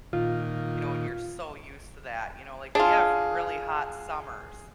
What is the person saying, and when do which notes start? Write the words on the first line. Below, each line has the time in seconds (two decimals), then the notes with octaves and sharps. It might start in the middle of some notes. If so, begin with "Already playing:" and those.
you know and you're so used to that, you know, like, we have really hot summers,
0.13 A#2 D#3 F4
2.75 D4 F4 G#4